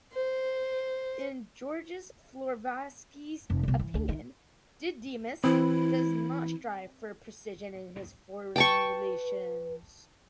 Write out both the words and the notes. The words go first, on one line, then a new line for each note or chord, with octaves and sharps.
In Georges Florovsky's opinion, Didymus does not strive for precision in his formulations.
C5
F1 F2
C2 B2
E3
D2
D#3
E3 C4 E4 B4
B4 G5 A5 C#6